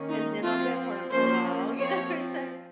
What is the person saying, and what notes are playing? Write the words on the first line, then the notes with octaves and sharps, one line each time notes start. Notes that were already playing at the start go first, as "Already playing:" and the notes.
and then I'll go to work for a while, you know, so
Already playing: D#3 A#3 C#4
D#4
F3 C4 F4
F3 A#3 C#4 C5
F3 C4 C#5